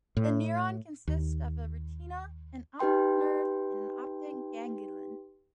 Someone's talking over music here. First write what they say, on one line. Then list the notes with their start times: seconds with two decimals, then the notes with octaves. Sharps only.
The neuron consists of a retina, an optic nerve, and an optic ganglion.
0.17 A2
1.07 D#2
2.79 D#4 G4 B4 G5 C6